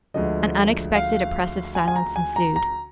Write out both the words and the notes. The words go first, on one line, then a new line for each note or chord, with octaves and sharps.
An unexpected, oppressive silence ensued.
D2 D3 F3 G#3 D#5
F5
G#5
G#5
A#5
G#5
A#5
A#5